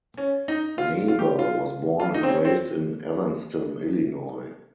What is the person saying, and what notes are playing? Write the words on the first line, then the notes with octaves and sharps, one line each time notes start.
Naber was born and raised in Evanston, Illinois.
C#4
D#4
F4
F4
G4
F4
F4
D#4
C4
C#4
C4